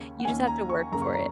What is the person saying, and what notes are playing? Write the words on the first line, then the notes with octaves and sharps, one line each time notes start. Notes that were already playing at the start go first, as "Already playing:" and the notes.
You just have to work for it,
Already playing: D#2 C#3 A#3 C#4
F#5
D#2 D#3 A#3 C#4 G#5
A#5
C#6
F#2 C#3 A#3 A#5
C#6
A#5